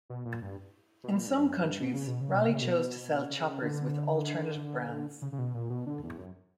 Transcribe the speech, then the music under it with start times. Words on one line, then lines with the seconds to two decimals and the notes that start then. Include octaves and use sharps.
In some countries Raleigh chose to sell Choppers with alternative brands.
0.10 B2
0.25 A#2
0.42 G2
1.04 B2
1.16 A#2
1.27 G2
1.37 F#2
1.59 G2
1.80 B2
1.94 C#3
2.07 B2
2.21 C#3
2.34 B2
2.48 C#3
2.61 B2
3.30 C#3
3.62 D3
5.22 C#3
5.32 C#3
5.38 B2
5.54 A#2
5.70 B2
5.86 D3
6.03 E2
6.18 F#2